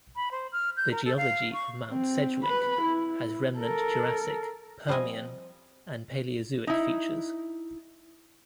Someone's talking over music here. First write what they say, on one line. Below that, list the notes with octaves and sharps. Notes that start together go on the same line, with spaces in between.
The geology of Mount Sedgwick has remnant Jurassic, Permian and Palaeozoic features.
B5
C5
F6
G6
A#4
A4
F5
C#6
C4
B4 B5
E4
A4 A#4
F3 G3 C4 D#5 G#5
D#4 E4